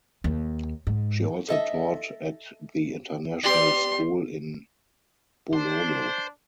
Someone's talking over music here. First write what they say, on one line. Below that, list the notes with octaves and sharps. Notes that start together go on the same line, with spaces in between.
She also taught at the international school in Bulolo.
D#2
G#2
A4 D#5 E5
B3 G4 D5 C6
D4 C5